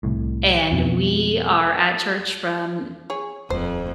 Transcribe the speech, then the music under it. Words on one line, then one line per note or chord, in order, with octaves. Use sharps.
and we are at church from
C2 A2
F2 B2
G#4 C#5
D#1 F2 C5